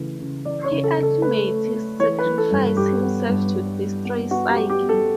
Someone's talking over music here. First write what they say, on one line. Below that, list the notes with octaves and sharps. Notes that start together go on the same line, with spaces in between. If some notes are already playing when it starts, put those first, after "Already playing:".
He ultimately sacrifices himself to destroy Saiki.
Already playing: C#3 E3 A3
C#3
E3 D5
C#5
C#3
A4
C#3
A4
A3 B4
A3
A3
E3 C#5
B4
E3
A4
G2
G2 G4
B3
G2
G3
G3
B3
B3 F#4
G4
G3
G4
B3
A4